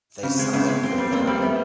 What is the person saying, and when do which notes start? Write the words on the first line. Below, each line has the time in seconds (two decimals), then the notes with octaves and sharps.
They signed Rivera.
0.23 C#3 C4
0.39 G#3
0.53 C#3 B3
0.68 G#3
0.83 B3 C4
0.98 G3
1.12 A#3 C4
1.27 G3
1.42 A3 B3